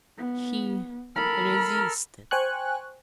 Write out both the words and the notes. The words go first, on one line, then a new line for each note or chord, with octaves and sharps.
He resisted....
B3
A4 A#4 B5 F6
C5 G5 G#5 C#6 F#6